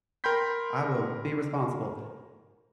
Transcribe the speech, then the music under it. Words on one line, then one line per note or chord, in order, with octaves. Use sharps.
I will be responsible,"
A#4 G5 B5 C6 G6 B6